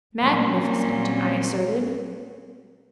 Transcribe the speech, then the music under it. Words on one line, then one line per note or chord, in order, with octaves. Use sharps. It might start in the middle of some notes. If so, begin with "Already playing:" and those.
"Magnificent!" I asserted.
A#2 F#3 G3 A#3 C4 C#4